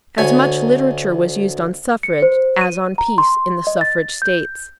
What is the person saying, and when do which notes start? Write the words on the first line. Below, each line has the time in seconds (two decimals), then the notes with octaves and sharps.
As much literature was used on suffrage as on peace in the suffrage states.
0.18 D2 C#5 G#5
2.03 C#7
2.22 C5
2.61 D#7
2.98 A#5
3.18 C6
3.67 D#5
3.81 A6
4.22 G6